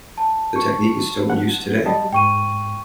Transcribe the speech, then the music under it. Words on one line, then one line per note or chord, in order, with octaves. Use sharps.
The technique is still in use today.
A5
C#6
F#5
G3 D#5 A5
G#2 G5 C#6 D#7